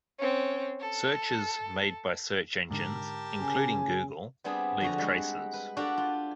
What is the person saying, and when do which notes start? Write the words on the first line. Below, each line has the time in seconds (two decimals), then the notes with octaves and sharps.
Searches made by search engines, including Google, leave traces.
0.19 C4 C#4
0.80 A4
2.71 G#2 D3 G4 A#4 A5
3.39 C#3 G#5
4.44 G3 B3 C4 D4 G#4
4.81 F2 D3 F3 F#4 A#5
4.98 G3 G#3 F#4
5.54 B4
5.77 D4 F#4 G4 A4 D5 F5
5.97 F4